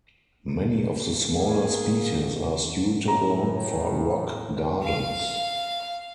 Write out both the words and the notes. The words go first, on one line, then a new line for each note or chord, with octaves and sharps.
Many of the smaller species are suitable for rock gardens.
A#3 G#4
A2 A#5
F5